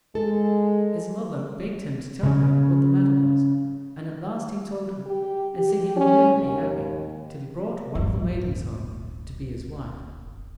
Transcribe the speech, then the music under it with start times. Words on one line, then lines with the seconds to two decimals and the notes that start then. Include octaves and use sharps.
His mother begged him to tell her what the matter was; and at last he told her, and said he would never be happy till he brought one of the maidens home to be his wife.
0.15 G#3 A4
2.23 C#3 C#4
5.06 G4
5.58 G4
5.97 C#4
6.41 D#2
7.95 D1 G1